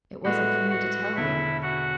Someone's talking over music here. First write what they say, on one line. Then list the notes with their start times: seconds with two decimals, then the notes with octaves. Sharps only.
"It wasn't for me to tell you."
0.25 A2 G#3 B3 F#4 F#5
0.70 F#4 F#5
1.16 E1 E2 D3 E4 E5
1.62 F#4 F#5